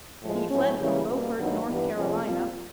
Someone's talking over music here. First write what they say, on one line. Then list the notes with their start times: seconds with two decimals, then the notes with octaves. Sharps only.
He fled from Beaufort, North Carolina.
0.22 A2 F3 G#3
0.50 A2 F#3 A3 C#4
0.79 C#3 E3 G3 A#3 C#4
1.08 B2 G3 A#3
1.38 G2 D#3 F#3 B3 D#4
1.67 G2 E3 G3 B3
1.95 F2 C3 F3 G#3 C#4
2.25 A#2 G3 C4 F4